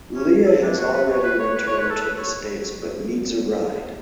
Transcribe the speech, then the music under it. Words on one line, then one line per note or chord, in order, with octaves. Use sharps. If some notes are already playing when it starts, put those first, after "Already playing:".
Leah has already returned to the States but needs a ride.
C#4
E4
D4
F#4
B4
C#5
B4
C#5
B4
C#5
B4
A4
B4
C#5